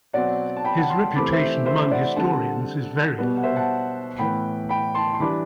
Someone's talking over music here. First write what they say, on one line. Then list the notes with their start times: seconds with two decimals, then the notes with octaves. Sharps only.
His reputation among historians is very low.
0.13 B2 F#3 C4 D5 F#5
0.56 A5
0.64 G5 B5
0.77 F#5 A5
0.90 A5 C6
1.15 C3 E3 A3 C4 B5 D6
1.32 C5 E5
1.66 C5 E5
1.91 D5 F#5
2.16 D3 G3 C4 F#5 A5
3.18 B2 G3 B3
3.37 F#5
3.43 C5 E5
3.56 F#5 A5
4.19 A2 E3 B3 G5 B5
4.69 G5 B5
4.95 A5 C6
5.14 C6
5.20 E3 G3 D4 B5 D6